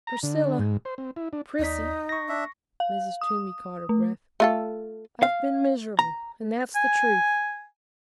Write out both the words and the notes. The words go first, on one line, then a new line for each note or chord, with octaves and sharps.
"Priscilla--Prissy--" Mrs. Toomey caught her breath--"I've been miserable--and that's the truth!"
A#5
D3
G#2
C5
C4
E4
D4
D#2 D#4 D5 B6
C#6 A#6
D4 E5
F5
D#6
A3
A3 F4 A4
F5
A#5
G#5